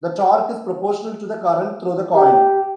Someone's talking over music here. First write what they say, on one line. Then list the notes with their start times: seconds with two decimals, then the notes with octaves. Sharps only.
The torque is proportional to the current through the coil.
2.16 G4